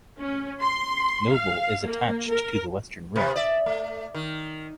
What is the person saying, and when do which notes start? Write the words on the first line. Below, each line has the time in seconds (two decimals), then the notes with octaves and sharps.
Nobile is attached to the western rim.
0.18 C#4
0.60 C6
1.32 F5
1.85 A#3
2.29 A#4
3.16 C3 B3
3.36 D5 E5
3.66 A3
4.15 D#3